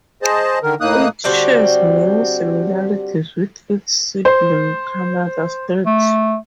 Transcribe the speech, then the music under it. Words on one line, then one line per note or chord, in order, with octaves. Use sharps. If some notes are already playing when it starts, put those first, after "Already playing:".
It shares many similarities with its sibling Kannada script.
G#4 C5 D#5 A5
D3 D#3 A#4
A2 A#3 D#4 D#6 F#6
D3 G3 C4 F#4
C5
A3